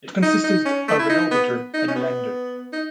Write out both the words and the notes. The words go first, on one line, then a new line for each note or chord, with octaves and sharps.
It consisted of an orbiter and a lander.
D#4
D#4
C#4
A3
E4
D#4
B3
D#4
C#4
B3
D#4